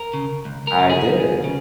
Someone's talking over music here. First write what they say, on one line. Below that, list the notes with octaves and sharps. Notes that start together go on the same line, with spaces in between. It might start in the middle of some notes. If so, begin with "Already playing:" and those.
I did.
Already playing: A#4
C#3
C#2
A#4
C#3
G#4
C#2
C#3